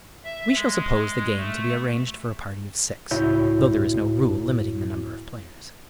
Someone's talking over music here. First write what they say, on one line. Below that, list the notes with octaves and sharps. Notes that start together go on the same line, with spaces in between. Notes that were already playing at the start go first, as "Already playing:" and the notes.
We shall suppose the game to be arranged for a party of six,-- though there is no rule limiting the number of players.
E5
G#3
A3
C#2 A2 E4 F#4 C#5 G6